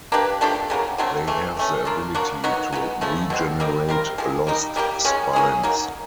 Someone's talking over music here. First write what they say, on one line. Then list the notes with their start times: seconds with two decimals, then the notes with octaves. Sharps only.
They have the ability to regenerate lost spines.
0.12 A#3 D4 G4 B4
0.41 F3 A3 D4 G4
0.70 C#3 F#3 A#3
0.98 D3 F#3 A3 C4
1.27 C#3 E3 A3
1.57 E3
1.59 A3 C#4
1.85 A#3 D4 F4
2.14 F#3 A#3 D4 F#4
2.44 F#3 B3 D#4 F#4
2.72 C#3 F#3 B3
3.01 C#3 F3 A3
3.30 B2 G3 C4
3.60 G3 A#3 D#4
3.89 G3 C4 F4 A#4
4.18 F3 G#3 C4
4.47 G3 A#3 D#4
4.76 G3 A#3 D#4 G4
5.05 C#3 F3 G#3 C#4
5.33 A#3 C#4 E4 G#4
5.63 F#3 A#3 D#4